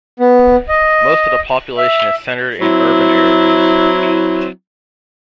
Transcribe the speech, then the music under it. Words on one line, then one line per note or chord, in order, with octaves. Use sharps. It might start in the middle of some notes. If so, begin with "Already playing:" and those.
Most of the population is centered in urban areas.
B3
D#5
E5
F#3 C4 E4